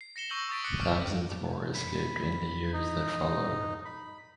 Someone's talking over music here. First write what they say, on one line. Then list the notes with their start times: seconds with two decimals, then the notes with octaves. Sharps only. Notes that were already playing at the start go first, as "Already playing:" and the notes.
Thousands more escaped in the years that followed.
0.01 C7
0.16 A#6 C#7 E7 G7
0.30 C#6 E6 G6 A#6 F#7
0.49 C#6 D#6 A6 B6 D7
0.64 D6 F#6 A#6 C#7
0.80 D6 F6 D7
1.75 B5
2.73 D#4
3.85 B5